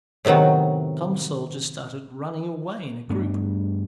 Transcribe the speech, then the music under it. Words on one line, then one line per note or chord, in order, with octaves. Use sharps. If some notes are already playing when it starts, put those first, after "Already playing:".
Some soldiers started running away in a group.
A2 C3 D#3 F#3 B3
G2 A3 B3 D4